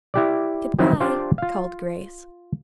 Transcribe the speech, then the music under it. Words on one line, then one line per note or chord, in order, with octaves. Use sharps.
"Good-bye," called Grace.
E4 G4 D5
D#3 F3 F#3 C4 D#4 E4
D4 F4 G4 C5 D5 F5
F4 F5